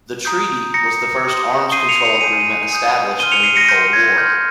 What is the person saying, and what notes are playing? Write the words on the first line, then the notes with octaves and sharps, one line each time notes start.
The treaty was the first arms control agreement established during the Cold War.
A#5 D#6 G6
A#5 D#6 G6 A#6 C#7
C6 D#6 G6
C6 D#6 G6 C7 D#7
C#7 F7
C#7 F7
G#5 D#6 G6 C7 D#7
G#5 D#6 G6
C6 F6 D#7 G7
C#7 F7
C7 D#7
A#6 C#7
C6 F6 G6 A#6
G#6
C6 F6 G6
G6